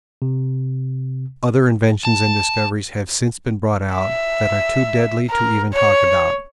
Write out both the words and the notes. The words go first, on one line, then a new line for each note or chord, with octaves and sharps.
Other inventions and discoveries have since been brought out that are too deadly to even talk about.
C3
A5
E5
A#4
C#5